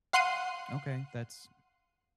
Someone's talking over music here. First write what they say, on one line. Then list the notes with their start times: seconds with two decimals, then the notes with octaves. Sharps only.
Okay, that's
0.13 F5 F#5 C6 F#6 C7 D#7